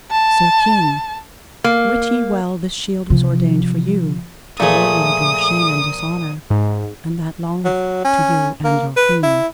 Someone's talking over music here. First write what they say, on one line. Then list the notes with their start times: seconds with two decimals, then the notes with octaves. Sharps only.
Sir King, wit ye well this shield was ordained for you, to warn you of your shame and dishonour, and that longeth to you and your queen.
0.11 A5
1.64 A#3
3.10 C3 F3
4.60 A#2 F3 A3 G#4 D#6
6.50 G#2
7.64 F#3
8.04 C#4
8.64 A#3
8.96 B4
9.23 E4